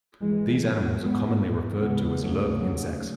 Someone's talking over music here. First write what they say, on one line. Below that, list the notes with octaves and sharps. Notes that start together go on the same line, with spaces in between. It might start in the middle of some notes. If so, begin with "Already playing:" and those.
These animals are commonly referred to as lerp insects.
G#1 G#2 E3 G#3
F#3 A3
G#3 B3
D#2 C#3 G#3 B3
F#3 A3
F#3 A3